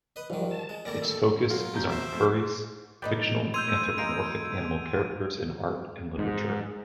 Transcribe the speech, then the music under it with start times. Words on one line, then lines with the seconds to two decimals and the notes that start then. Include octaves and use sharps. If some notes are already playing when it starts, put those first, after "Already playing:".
Its focus is on furries: fictional anthropomorphic animal characters in art and literature.
0.16 B4 D#5
0.30 G#2 D#3 F3 G3
0.51 A5
0.69 G#3
0.85 A#2 G3 A3 D5 A#6
1.02 A4
1.50 F#3 F4 A#4 F#5
1.74 B2 A#5 G6
1.89 C5 E5 D6
2.13 F2 A3
3.02 F#2 A2 D#4 B4 D5 G5
3.54 C6 E6 G6 G#6 D#7 F7
3.98 G#3 A#4 F5 D7
6.18 G#2